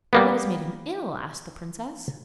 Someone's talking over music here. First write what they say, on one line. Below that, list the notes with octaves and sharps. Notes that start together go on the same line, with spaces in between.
'But what has made him ill?' asked the princess.
G3 A#3 B3